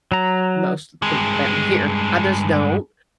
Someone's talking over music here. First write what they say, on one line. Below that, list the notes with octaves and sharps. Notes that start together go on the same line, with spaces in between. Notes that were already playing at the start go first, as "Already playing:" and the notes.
most of the people down here, I just don't.
F#3 A#5
G2 G#3